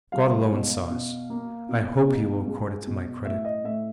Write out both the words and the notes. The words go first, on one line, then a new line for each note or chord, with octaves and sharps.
God alone saw us, I hope He will record it to my credit.
G3 F5
B2
B2
A#3
B2
B2
G#3
B2
A2 E5
D#5
A2 E5